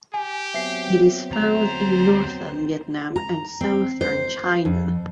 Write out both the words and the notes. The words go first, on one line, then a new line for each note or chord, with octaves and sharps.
It is found in northern Vietnam and southern China.
G4 G#5
F#3 B3 C4 E5 C7
D2 C5 A#5
A#5
C4
C5
F2